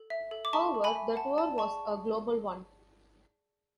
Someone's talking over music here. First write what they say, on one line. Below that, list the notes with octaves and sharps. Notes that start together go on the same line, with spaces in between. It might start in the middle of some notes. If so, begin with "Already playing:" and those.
However, the tour was a global one.
Already playing: A4
E5
A4
D6
E5 A5 C#6
A4
G#5 B5
E5
F#5 A5
D5 A5
G#4 A5 C#6
G#4